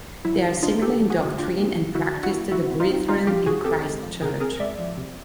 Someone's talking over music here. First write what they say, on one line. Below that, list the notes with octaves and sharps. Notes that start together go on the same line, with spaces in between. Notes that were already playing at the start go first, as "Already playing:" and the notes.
They are similar in doctrine and practice to the "Brethren in Christ Church".
F#3 E4
D3
D4 D#4 F4
A#3 G4 A4
F#3
F#4 G#4
D3
D4 F4 G4
A#3
F#3
D3 E4 F#4
D4
E4 F#4
A#3
F3 E4 F#4
C3
D#4 F4
C4
G#3 D#4 F4
F3 F4 G4
C3 F#4 G#4
C4 G4 A4
G#3
F3
C3 G#4 A#4
C4 G#4 A#4
G#3 D5 E5
F3
C3